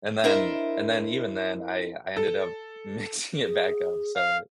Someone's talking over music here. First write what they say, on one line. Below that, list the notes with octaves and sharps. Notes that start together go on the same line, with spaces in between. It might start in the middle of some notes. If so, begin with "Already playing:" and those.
and then and then even then, I I ended up mixing it back up, so it
D4 E4 A#4 C5 D#5 E5
A4
G#4
F5